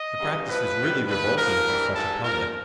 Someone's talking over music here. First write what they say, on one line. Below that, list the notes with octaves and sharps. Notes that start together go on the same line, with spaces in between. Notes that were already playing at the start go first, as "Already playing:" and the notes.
The practice is really revolting to such a public.
Already playing: D#5
F#2 C#3 E3 G3
A2 F3 B4
F#2 D#3 G3
G2 D#3 G3 B4
G#2 F3 A#4
G2 E3 G3
G#2 E3 G3 A4
A#2 F3 A#4